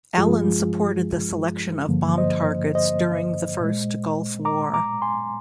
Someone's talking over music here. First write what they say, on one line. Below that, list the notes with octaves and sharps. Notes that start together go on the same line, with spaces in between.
Allen supported the selection of bomb targets during the first Gulf War.
G2 F3 G#3 F4 G#4
G2 D3 F3 A#3
C5 D#5
C5 D#5
A#2 G#3
A#5 D6
A#5 D6
G#5 C6